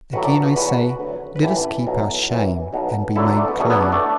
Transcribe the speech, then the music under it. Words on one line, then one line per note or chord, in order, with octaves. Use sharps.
Again I say, let us keep our shame and be made clean!
A1 A2 F#3 F#4 B4
A4 D5
F#4 B4
F#4 B4
E2 B2 F#3 F#4 B4
D2 D3 F#3
B4
A1 A2 E3 E4 A4
B1 B2 F#3
F#2 E3
B1 B2 F#3
D2 D3 F#3 E4 A4
A3 D4
B3
E2 B2 F#3 B3
B3 E4
D4 F#4
A3 D4